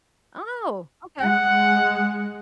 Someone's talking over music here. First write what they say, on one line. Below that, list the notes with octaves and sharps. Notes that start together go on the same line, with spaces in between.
Oh, okay.
G#3 F#5